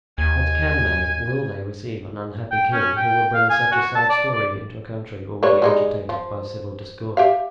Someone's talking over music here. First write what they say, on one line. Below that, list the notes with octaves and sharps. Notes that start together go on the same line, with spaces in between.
But can they, will they receive an unhappy king, who will bring such a sad story into a country already agitated by civil discord?
D#2 G#5
G5
C#4
G5
F5
G#5
F#4
A5
D5
D5
G3 B4 C#5
G3 G#3 D#4
F3
G4 E5 F5